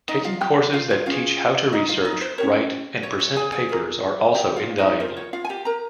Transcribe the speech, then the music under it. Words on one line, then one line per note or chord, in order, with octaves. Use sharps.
Taking courses that teach how to research, write and present papers are also invaluable.
D#4 D#5
F4 F5
G4 G5
F4 F5
F4 F5
C#4 F4 G#4 F5
D#4 D#5
F4 F5
D#4 D#5
C5
C#4 G4 A#4 C#5
C#5
C#5
G#4 G#5
G#4 G#5
F4 A#4
G4 G5
F4 F5
D#4 D#5
F4 A#4 C5
C#5
F4 F5
G#5
G4 G5
A#4 A#5